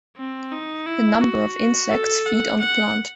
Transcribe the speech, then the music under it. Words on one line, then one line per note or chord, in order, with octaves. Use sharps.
A number of insects feed on the plant.
C4
D#4
E4
F#4
A4
F#5
F#5